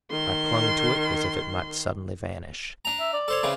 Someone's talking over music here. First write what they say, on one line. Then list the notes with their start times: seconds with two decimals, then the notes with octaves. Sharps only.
I clung to it as if it might suddenly vanish.
0.11 D#3 C6
2.85 D4 A#5
3.00 E5
3.13 D5
3.28 A4 C5 C#5
3.43 C#3 E3 C4